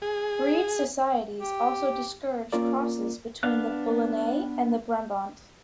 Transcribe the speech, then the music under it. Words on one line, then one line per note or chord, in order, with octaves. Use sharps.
Breed societies also discouraged crosses between the Boulonnais and the Brabant.
G#4
G4
A#3 C#4 F4 A#4 D5
B3 D4 F5 F#6